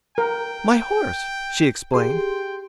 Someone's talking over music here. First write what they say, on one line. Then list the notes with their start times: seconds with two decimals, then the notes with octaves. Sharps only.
"My horse," she explained.
0.18 A#4 G5
1.94 G4 G#4 G5 C6